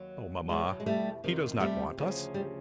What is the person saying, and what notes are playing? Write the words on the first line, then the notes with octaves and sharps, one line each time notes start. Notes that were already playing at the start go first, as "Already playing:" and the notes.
"Oh, mamma, he does not want us."
Already playing: D#2 F#3
E2 B2 F#3 G#3
G#3
G3 A3
F2 C3 D#3
G3 A3
D2 C#3 F3
G3